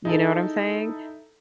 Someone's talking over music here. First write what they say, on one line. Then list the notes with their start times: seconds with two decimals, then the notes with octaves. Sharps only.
You know what I'm saying?
0.05 D#4 E4 G#4 A4 A5